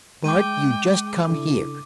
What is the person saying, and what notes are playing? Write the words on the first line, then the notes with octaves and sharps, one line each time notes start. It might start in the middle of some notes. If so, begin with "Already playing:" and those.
"Bart, you just come here!"
G#3 G5 D6 D#7
C#3 D4 E4 A4